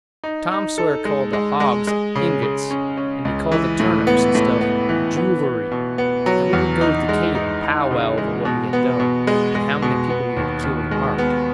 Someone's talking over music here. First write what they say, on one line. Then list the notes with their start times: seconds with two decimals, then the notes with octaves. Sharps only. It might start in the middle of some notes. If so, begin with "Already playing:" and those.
Tom Sawyer called the hogs "ingots," and he called the turnips and stuff "julery," and we would go to the cave and powwow over what we had done, and how many people we had killed and marked.
0.24 D#4
0.52 D#4
0.78 A4
1.05 G#3
1.33 G#3
1.60 G#3
1.87 G#3
2.16 C#3
2.43 C#3
2.71 C#4
2.97 C#4
3.25 C#2
3.52 E3
3.80 A2
4.07 B3
4.35 A2
4.61 B3
4.89 E3
5.17 B3
5.43 B3
5.72 B2
5.98 B3
6.26 F#3
6.53 E2
6.81 D#4
7.09 G#3
7.35 D#4
7.62 D#4
7.91 C#3
8.18 G#3
8.45 B2
8.73 B3
9.00 B2
9.27 G#3
9.55 G#3
9.82 B2
10.10 B3
10.37 D#2
10.64 D#2
10.91 G#3
11.18 B3